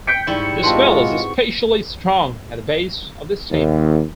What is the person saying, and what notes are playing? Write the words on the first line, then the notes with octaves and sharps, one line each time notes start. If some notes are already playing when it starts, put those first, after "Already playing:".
The smell is especially strong at the base of the stem.
G5 G6 B6 C#7
G#2 G3 E4 C#6
G#3 C4 F4 F#4 B4 G5 A5 C6
D#2